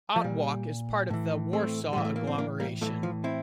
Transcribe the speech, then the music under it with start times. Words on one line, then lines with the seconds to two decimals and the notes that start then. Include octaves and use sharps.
Otwock is a part of the Warsaw Agglomeration.
0.16 F3
0.24 A#2 G3
1.10 A2 E3
1.53 A3 C4
1.93 A2 E3 G3
2.05 A3
2.16 A#3
2.27 C4
2.38 A#3 D4
2.60 G3 A#3
2.81 A2 F3 A3
2.86 E3
3.03 F3
3.24 C4 E4